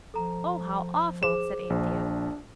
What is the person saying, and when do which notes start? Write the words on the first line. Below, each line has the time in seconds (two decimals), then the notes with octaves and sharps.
'Oh, how awful!' said Anthea.
0.14 F3 A4 A#5
1.23 G#4 C5 D6 E7
1.70 A#1 D4